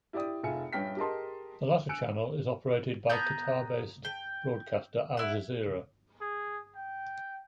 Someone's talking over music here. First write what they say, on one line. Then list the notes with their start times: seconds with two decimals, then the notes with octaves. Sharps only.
The latter channel is operated by Qatar-based broadcaster Al Jazeera.
0.13 E4 G4 D5 G5 D#6
0.43 F1 F4 G#4 E5 G#5 C#7
0.73 A#1 G2 C#4 G5 F6 B6
0.97 G4 G#4 A#4 D#5 A5 C6
1.89 G#5 E6 F#6 C#7 D7
3.09 B3 A#5 G6
4.05 G5
5.17 E4 F#5
6.21 G#4
6.75 G5